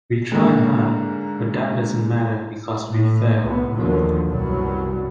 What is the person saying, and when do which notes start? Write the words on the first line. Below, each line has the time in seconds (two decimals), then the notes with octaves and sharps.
We tried hard, but that doesn't matter because we failed.
0.32 G#2 D3 A#3
2.87 A2
3.42 C2 A2 C3 B3
3.75 D#2 D3 D#3 F3 F#3
4.26 C2 F#2 B2 F#3 G3